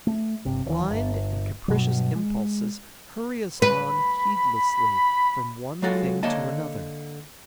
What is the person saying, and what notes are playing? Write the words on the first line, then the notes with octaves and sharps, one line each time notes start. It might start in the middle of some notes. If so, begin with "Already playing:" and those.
Blind and capricious impulses hurry us on heedlessly from one thing to another.
A3
G1 C3
D1 D#2 E3
G1
G2 B2 F#3
G#3
B4 B5
F#3 G#3 F4 F#4 A4
D3 A#3 C#5 D#5 A5